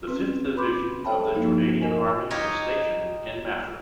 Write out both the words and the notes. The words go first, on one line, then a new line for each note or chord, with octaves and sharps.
The fifth division of the Jordanian Army is stationed in Mafraq.
C4 C#4 B4
B4 B5 C6 D6 G6
A4 C#5 E5 G5 A5 B5
G2 F3 A#3 D#4 E4
A#4 D#5 G#5
D#4 F4 G4 C#5 D#5 G#5